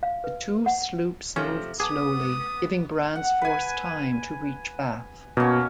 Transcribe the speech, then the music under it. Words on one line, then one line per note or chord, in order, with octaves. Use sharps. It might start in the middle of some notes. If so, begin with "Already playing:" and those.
The two sloops moved slowly, giving Brand's force time to reach Bath.
F5
B4
F#5
C3 F3 A3 C#4
B3 G#4 A5 D6 D#6
F#5
B4 G#5
B2 A#3 C#4